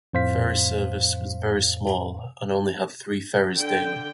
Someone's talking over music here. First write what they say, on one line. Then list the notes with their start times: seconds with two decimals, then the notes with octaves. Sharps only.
Ferry service was very small and only had three Ferries daily.
0.13 F2 A2 C5 F5 B6
3.57 D3 G5